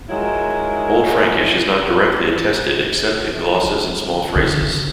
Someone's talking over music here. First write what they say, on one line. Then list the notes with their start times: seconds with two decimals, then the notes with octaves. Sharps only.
Old Frankish is not directly attested except in glosses and small phrases.
0.10 D#3 F3 F#3 G#3 E4
3.63 D3
4.36 D3
4.62 C#3